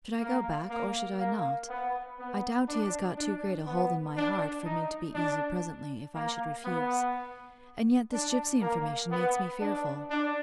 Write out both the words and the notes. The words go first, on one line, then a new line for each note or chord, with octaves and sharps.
Should I go back, or should I not?--I doubt he has got too great hold in my heart, for me to be easy presently, if I should refuse: And yet this gipsy information makes me fearful.
A#3
A#3
A#3
B3
B3
D4
D4
B3
D4
D#4
D4
A#3
B3
D4
A#3
B3
D4
D4